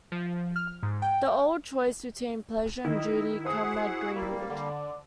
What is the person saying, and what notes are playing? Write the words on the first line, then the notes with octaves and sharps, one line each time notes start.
The old choice between pleasure and duty, Comrade Greenwood.
F3
F6
G#2
G5
D#3 E4 D#5
F#4 G#4 C5 F#5 D#6
G3 A#3
D3 D5